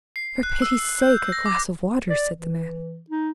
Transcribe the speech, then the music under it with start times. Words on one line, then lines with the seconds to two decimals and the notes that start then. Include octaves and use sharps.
"For pity's sake, a glass of water," said the man.
0.16 C7
0.43 F#6
0.62 E6
1.02 G6
1.32 A#6
1.46 D6
2.10 D5
2.38 E3
3.10 D#4